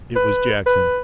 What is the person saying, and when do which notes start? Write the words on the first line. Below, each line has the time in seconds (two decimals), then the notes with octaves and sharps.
It was Jackson.
0.16 B4
0.66 B4